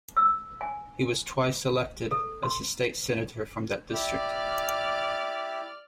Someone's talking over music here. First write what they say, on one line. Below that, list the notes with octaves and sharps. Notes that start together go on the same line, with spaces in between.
He was twice elected as a state senator from that district.
E6
G#5
A4
C6
E4 G4 D5 F6 A6